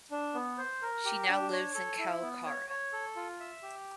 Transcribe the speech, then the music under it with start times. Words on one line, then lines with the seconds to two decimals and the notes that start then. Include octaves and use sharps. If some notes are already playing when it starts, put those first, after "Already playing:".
She now lives in Kalkara.
0.11 D4
0.34 B3
0.58 C5
0.82 A#4
1.05 G4
1.29 D4
1.52 C#5
1.75 A4
1.99 E4
2.22 B3
2.46 C#5
2.70 C#5
2.93 A4
3.16 F4
3.40 E5
3.62 G4